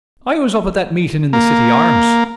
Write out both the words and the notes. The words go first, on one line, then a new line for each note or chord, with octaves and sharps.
I was up at that meeting in the City Arms.
A#3